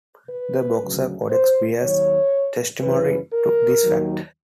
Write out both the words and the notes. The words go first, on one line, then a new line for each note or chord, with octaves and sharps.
The Boxer Codex bears testimony to this fact.
B4
D2 C#3 F#3
C5
D#2 D#3 F#3 C#5
F#2 C#3 E3 B4
A#4
D#2 D#3 F#3